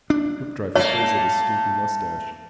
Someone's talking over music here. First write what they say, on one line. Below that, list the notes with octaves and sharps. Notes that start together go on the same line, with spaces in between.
Hoopdriver pulls at his skimpy moustache.
D4
A3 A#3 C#5